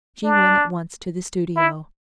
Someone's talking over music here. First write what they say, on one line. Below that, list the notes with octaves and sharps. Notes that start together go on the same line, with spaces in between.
She went at once to the studio.
D4
E4